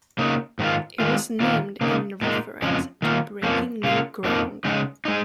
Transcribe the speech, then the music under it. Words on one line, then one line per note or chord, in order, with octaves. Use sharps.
It was named in reference to breaking new ground.
C#3 A#3 D#4
G#2 D#3 G#3 F4
D#3 G#3 F4
D#3 A#3 F4
C#3 A#3 D#4
A#2 G#3 D#4
F2 C#3 F3 G#3 C#4
D#3 A#3 F4
F2 F3 A#3 C#4
C#3 A#3 F4
F2 F3 A#3 D#4
C#3 G#3 D#4
G#3 D#4